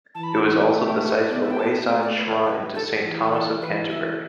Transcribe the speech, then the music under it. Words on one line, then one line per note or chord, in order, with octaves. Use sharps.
It was also the site of a wayside shrine to Saint Thomas of Canterbury.
E3 A5
B5
A5
A3 E5
G5
B4
D5
B3 D5
E5
G5
A5
A3 G5
D5
B4
D5
B4
A4
E3
A4
E3 B4
E5